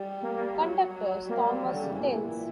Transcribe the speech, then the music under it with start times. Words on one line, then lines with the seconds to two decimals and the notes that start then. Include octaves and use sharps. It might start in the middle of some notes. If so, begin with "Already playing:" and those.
Conductor's Thomas Tales.
Already playing: G3
0.23 A#3
0.35 A#3
0.59 F#3
0.93 F#3
1.29 G3 A#3
1.65 F#3
1.74 D3
1.83 C#3
1.92 G2
2.00 A#2 E3
2.12 A#2
2.24 A#2